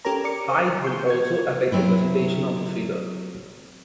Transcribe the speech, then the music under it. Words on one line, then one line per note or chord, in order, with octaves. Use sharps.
Height will also affect the presentation of the figure.
C#4 G4 A4 A#4 C#5 A#5
A#4 D5 D6 C#7
C5
C6 C#6 G6
C#6 G#6
F#3 C4 E4